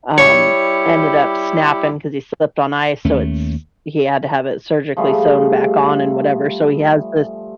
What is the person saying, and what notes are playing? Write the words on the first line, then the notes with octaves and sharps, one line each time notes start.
um, ended up snapping, 'cause he slipped on ice, so it's he had to have it surgically sewn back on and whatever, so he has this
G3 E4 G4 C#5
D#2 A3 C#4
F3 G3 A3 G#4